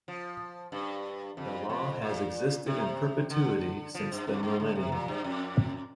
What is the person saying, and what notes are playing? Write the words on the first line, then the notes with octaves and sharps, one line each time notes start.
The law has existed in perpetuity since the millennium.
F3
G2
F2
F2
A#2
C3
D3
F3
G2
F2
G2
D3
C3
A#2
G2
F2